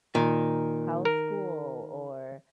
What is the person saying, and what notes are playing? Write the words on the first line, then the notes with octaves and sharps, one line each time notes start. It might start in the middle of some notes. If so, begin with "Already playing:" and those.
"How's school?" or
A#2 D#3
A#4